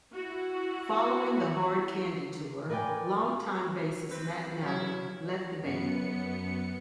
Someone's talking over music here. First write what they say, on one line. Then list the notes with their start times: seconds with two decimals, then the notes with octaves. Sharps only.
Following the Hard Candy tour, longtime bassist Matt Malley left the band.
0.14 E4 F#4
2.70 A#4 B4 D5 D#5 G5 G#5
4.10 C4 B4
4.62 F#3 C#4 E4
5.60 F#2 B3 C#7